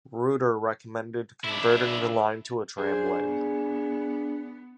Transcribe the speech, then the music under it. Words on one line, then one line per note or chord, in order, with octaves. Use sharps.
Ruter recommended converting the line to a tramway.
D4 E4
D4 G#4 C5
B3